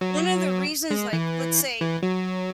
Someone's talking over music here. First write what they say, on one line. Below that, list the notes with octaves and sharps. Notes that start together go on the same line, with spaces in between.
one of the reasons, like, let's say
F#3
G#3
E3
E3
F#3